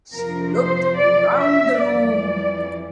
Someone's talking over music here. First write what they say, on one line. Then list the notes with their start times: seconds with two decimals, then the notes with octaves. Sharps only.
She looked round the room.
0.13 F2 C3 F3 A#4
0.55 C5
0.97 D5
1.39 E5
1.80 F2 E3 G3 D5